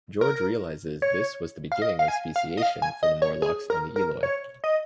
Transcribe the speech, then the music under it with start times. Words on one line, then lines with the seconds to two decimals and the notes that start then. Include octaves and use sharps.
George realises this was the beginning of speciation for the Morlocks and the Eloi.
0.21 A#4
1.02 C#5
1.72 F5
1.82 D#5
1.99 F5
2.08 G#5
2.36 F5
2.57 D#5
2.62 F5
2.82 G#5
3.03 D#5
3.22 C#5
3.42 G#4
3.70 A#4
3.96 A#4
4.23 C#5
4.64 D#5